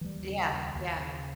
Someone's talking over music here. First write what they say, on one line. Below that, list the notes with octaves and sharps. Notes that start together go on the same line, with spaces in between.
Yeah, yeah.
E3
D#2 G3
C#3
D#2
D#2
C#3